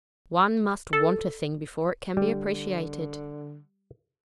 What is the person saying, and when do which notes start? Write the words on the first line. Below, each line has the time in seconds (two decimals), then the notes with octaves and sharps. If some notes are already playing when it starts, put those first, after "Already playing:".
One must want a thing before it can be appreciated.
0.93 A4
2.17 D3 G3